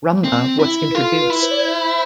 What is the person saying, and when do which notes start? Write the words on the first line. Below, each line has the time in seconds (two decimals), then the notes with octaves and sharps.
Rumba was introduced.
0.24 C4
0.60 E4
0.91 B4
0.95 F4 A4
1.18 B4
1.30 E4
1.42 C5
1.51 D5
1.60 C5